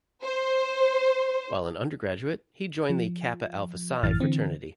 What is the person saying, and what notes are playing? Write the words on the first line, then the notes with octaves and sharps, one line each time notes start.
While an undergraduate, he joined the Kappa Alpha Psi Fraternity.
C5
F3
A1 F#2 A2 E3 F6 A6
D3 E3 C4